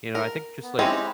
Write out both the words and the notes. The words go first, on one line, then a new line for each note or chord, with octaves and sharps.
you know, I think just like,
A#4
B3
G#3 C4 C#4 D#4 E4 G4